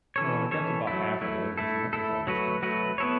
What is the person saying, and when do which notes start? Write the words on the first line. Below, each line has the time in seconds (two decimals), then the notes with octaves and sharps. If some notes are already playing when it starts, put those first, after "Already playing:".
Uh, I got to 'bout half of those, and that was always kinda fun.
0.16 E3 C#4 A4 C#5
0.51 E3 C#4 A4 C#5
0.87 F#3 A3 E4
1.21 F#3 A3 E4
1.57 A3 E4 A4
1.93 A3 E4 A4
2.27 F#3 A3 F#4 B4
2.62 F#3 A3 F#4 B4
2.98 B3 E4 A4 C#5